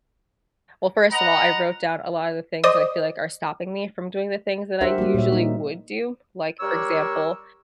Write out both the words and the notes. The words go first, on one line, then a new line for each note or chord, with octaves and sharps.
well, first of all, I wrote down a lot of the things that I feel like are stopping me from doing the things that I usually would do. Like, for example,
B4 D#5 F#5 A#5
C5 D5 D#5 D#6
D4 G4 A#4 C5 E5 F#5
G3 A#3 F#4
A#2 A#3 C#5 E5
D#4
G3 D4 A#4 C#5 E6